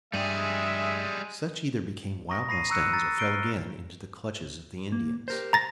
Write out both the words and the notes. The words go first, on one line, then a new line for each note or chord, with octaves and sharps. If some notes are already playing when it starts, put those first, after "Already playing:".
Such either became wild mustangs or fell again into the clutches of the Indians.
G2 G3 G#3 G#4 E5
A#5 C#6 D#6 A#6
B5 A#6 C7 D#7
A#5 C#6 E6 F#6 C#7 D#7
A#5 G6 A6
F6 G6 C7 D7 G7
A#3
G4 A#4 C5
A#5 A6 A#6